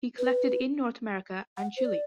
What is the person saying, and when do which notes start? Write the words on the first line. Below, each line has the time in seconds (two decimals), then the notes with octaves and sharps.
He collected in North America and Chile.
0.18 B4
1.57 F#5
1.77 C5
1.85 D5